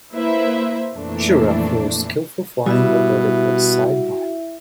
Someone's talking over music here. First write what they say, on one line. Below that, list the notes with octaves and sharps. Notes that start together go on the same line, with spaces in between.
Schirra, through skillful flying, avoided the Sidewinder.
A#3 E4 B4 C5 E5
F2 A#2 E3 A3 D4
B2 G3 E4 F#4 E5